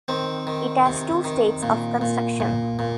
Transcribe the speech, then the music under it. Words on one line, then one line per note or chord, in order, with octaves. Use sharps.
It has two states of construction.
D#3 C4
D#3
C3
D#3
A#2
A#2
A#2
A#2